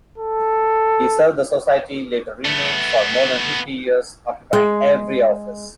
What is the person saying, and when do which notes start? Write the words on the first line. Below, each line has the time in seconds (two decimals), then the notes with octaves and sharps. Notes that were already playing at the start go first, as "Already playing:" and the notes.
He served the society, later renamed, for more than fifty years, occupying every office.
0.18 A4
2.45 A3 B3
4.53 G#3